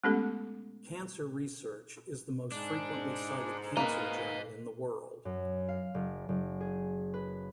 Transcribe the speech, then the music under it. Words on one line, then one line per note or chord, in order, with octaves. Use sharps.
"Cancer Research" is the most frequently cited cancer journal in the world.
G#3 A3 B3 C#4 G4 A4
G#2 D4
A#3 B4 D#5
F#2
F5
F#1
F#1
G#4
B4